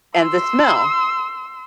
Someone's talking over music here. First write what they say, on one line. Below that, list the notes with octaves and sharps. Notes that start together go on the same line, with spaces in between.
And the smell.
C6 E6